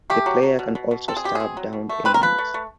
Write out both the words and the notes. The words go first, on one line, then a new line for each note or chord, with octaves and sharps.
The player can also stab downed enemies.
A3 G4
F#3
F#3
B2
B2
B2
C4 A4
G#4
B2 G4
C4 G#4
F#3
B2
A3
C4 B4
A#4
F3 B4
A3
A3